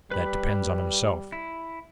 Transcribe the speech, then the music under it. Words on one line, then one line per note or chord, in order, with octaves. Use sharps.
'That depends on himself.
G3 B4 B5
E4